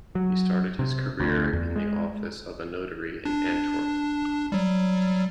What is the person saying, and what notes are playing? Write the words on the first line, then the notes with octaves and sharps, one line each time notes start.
He started his career in the office of a notary in Antwerp.
F#3
C3
D2
E2
G#3
D4
F#3 G3